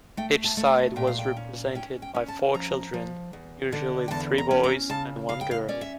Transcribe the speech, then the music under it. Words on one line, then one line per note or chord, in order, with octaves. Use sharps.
Each side was represented by four children, usually three boys and one girl.
A3 G5
A5
A3
A#2 G5
F5
G5
C#4
C#4 G5
G5
C#4
A5
F3 A#5
F3
E2
D3
G5
E2 A5
A#5
C#4
A#5
C#3 A5
C#3 F5
G5
F5
C#4 D5
E5